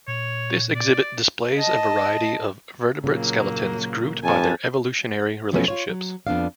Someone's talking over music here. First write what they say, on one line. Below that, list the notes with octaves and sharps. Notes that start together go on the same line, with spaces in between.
This exhibit displays a variety of vertebrate skeletons grouped by their evolutionary relationships.
A#2 C#5
D5
D#5 A5
A#2 C#3 F#3 A#3
F2 G#5 A5
B2 F3 F#3 A3 B3 C#4
F4 C#5
F#3
F2 B3 D4 D5 F5